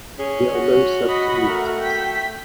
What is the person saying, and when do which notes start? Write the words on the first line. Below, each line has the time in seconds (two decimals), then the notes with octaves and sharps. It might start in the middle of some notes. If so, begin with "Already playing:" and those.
There are no subcommunities.
0.19 C#4 G#4
0.55 F#4
1.09 D#5 B5
1.47 A3 A#4
1.80 G5 B6